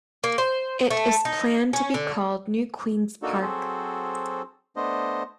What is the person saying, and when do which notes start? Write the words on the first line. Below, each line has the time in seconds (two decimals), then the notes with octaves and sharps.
It is planned to be called New Queens Park.
0.24 A#3
0.38 C5
0.90 A3
1.25 D#4
1.73 C#4
1.94 D3
3.22 A#3 D4 D#4 F#4 A4
3.41 F#3 C4 F#4 G#4 A4 C5
4.76 A3 B3 D4 C5 D#5